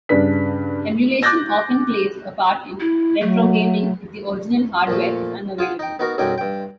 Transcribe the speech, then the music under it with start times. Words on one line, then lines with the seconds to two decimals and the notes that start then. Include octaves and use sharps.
Emulation often plays a part in retrogaming if the original hardware is unavailable.
0.09 G2 C#3 D4 B4 B6
1.23 D6 F#6 G6 A6 A#6
2.80 E4
3.21 F#3 A3
4.87 A#2 F3 A3
5.58 F4 G#4 F#5
5.79 D#4 G5
5.99 B3 D#4 F#4 A#4
6.18 B1 F#2 G3 D#4 G5 G#5
6.38 G2 G5